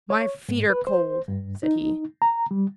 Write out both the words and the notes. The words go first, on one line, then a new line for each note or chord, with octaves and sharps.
"My feet are cold!" said he.
C#5
G#2
B4
C5
G2
D#4
A#5
G3